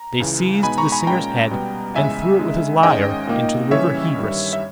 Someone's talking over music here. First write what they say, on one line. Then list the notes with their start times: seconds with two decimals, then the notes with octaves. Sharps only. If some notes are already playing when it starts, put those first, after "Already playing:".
They seized the singer's head and threw it with his lyre into the river Hebrus.
Already playing: A#5
0.20 C#2 C#3 E3
0.63 B2 G#3 B3 D#4 G#5 B5
0.78 A#5 C#6
0.92 G#5 B5
1.07 A#2 G#3 C#4 G5 A#5
1.51 B2 G3 B3
1.95 E2 C#3 G#3 E5 G#5
2.39 C#3 G#3 D#4
2.83 G#2 D#3 G#3 C#4 D#5 G5
3.27 A#2 A#3 D#4
3.71 C#3 E3 G3 C#4 C#5 E5
4.15 G2 D#3 G3
4.53 E5